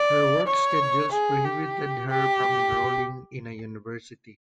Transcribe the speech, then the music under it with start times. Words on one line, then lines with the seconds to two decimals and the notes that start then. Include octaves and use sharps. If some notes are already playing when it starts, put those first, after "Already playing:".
Her work schedules prohibited her from enrolling in a university.
Already playing: D5
0.47 C#5
1.12 G#4
1.45 G4
2.09 G4